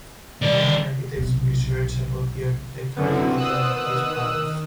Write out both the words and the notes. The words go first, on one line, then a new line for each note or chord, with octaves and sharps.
Many architects researched about the architectural pattern of this palace.
D#3 G3 D5
B1 C3
F#2 D3 B3 C4 E4 F#4
C5 D5 D#6 E6 F#6
D#3